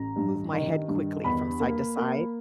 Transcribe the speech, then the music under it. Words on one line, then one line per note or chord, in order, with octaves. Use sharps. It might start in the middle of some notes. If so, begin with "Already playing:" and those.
move my head quickly from side-to-side,
Already playing: A1 A#5
G2
D#3
G2
E2 B5
A#3
A#3